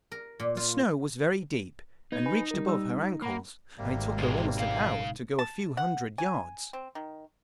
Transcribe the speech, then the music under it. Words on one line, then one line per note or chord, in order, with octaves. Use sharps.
The snow was very deep, and reached above her ankles, and it took her almost an hour to go a few hundred yards.
A#4
A#2
F4
B3 D#4 B4 G#6
B4 G#5 B5
G3 A#4
G3 E6
A#3 F#5 A#5 B5
G#1 C3 G3 A#3
D#2 G#2 B2 G#3
C#3 F5
A5
F#5
G#5
C4
D#3